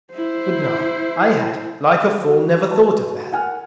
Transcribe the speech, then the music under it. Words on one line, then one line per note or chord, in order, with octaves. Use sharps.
But no! I had, like a fool, never thought of that!
E4 C5
E6
F#4
B4 A5
A#4 F#5 G#5 F6